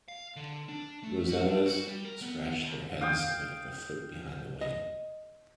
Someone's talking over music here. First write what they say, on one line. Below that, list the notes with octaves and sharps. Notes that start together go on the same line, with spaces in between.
Rosellas scratch their heads with the foot behind the wing.
F5
D3
D4
A3
F#4
D4
F#4
G3
A#4
B3
D#2
F5 G5 D#6
D#5